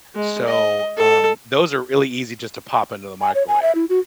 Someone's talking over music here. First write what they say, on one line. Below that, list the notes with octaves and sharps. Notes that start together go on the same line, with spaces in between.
so, um, those are really easy just to pop into the microwave.
G#3
D#5
A4
G#5
C#5
G#5
E5
E4
F#4